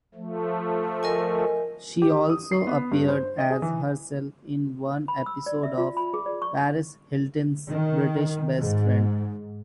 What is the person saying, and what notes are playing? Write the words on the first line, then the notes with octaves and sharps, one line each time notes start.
She also appeared as herself in one episode of "Paris Hilton's British Best Friend".
F3 A3
A#4 D#5 G#5
G4
D#6
C7
B3
G2
C5
D#5
G#4
E3
B5
E6
D5
E5
F4
B5
G#4
D5
C#6
D#3
G#2